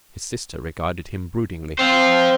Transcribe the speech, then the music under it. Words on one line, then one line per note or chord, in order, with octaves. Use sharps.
His sister regarded him broodingly.
C4 C5 F5